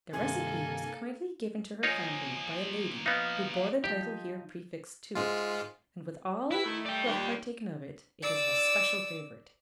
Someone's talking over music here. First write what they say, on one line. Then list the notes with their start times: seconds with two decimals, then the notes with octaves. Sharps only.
The recipe was kindly given to her family by a lady who bore the title here prefixed to it; and with all who have partaken of it, it is an especial favourite.
0.13 G2 C3 D#3 A#3 A4 G#5
1.83 F3 A#3 D#4 F4 C#5 D#5 G#5
3.06 B3 D#4 F5
3.84 F3 D#4 G4
5.15 G#2 G#3 F4
6.51 E4 B4
6.64 D#3 A3
6.86 D5 G5
7.05 D#2 A#2 G4
8.22 D5 E6